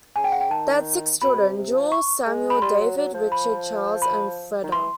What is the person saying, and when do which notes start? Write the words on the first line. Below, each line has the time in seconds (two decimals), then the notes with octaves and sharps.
They had six children: Jules, Samuel, David, Richard, Charles and Freda.
0.16 C#3 G#5
0.24 G5
0.32 F#5
0.41 G5
0.50 D#3 A5
1.22 B2 B5
1.39 C3
1.57 C3
1.74 F3
1.92 C#6
2.26 G#3
2.50 B5
2.62 G3 C6
2.79 F#3
2.97 F#3
3.14 F3
3.32 B5
4.02 B5
4.64 D#3
4.72 E3 C6